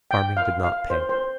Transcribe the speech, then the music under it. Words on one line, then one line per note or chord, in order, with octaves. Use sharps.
Farming did not pay.
G5
F5
F5
C5
C5